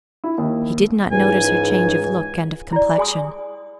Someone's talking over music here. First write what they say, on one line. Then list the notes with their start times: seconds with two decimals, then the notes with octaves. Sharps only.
He did not notice her change of look and of complexion.
0.24 E4
0.38 D#2
1.12 C#2 G#2 E3 G#5
2.73 E4 D5
2.98 G#4 G#5 C6 D#6